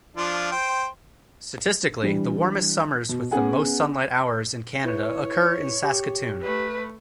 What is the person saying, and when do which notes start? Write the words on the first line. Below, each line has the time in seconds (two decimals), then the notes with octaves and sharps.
Statistically the warmest summers with the most sunlight hours in Canada occur in Saskatoon.
0.17 F3 D4 F4
0.52 C5 G5
2.02 E3 G3 D4
3.09 B2
3.31 B3 C#4 G#4 F#5 G#5
4.85 E4 B4 C#5
5.84 G4
6.43 A3 B4